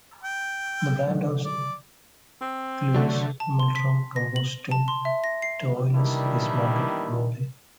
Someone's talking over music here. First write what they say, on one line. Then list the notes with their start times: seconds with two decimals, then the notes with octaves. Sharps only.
The brand of Clivus Multrum composting toilets is marketed globally.
0.24 G5
1.45 D5
2.41 C4
2.95 D3 F#3 A3 D4 F#4
3.40 A5
3.60 C6
3.76 B6
4.16 A#6
4.36 F#7
4.71 A5
4.88 C6
5.05 E5
5.24 A#6
5.42 C7
5.93 D#3 E3 G3 A#3 D4 E4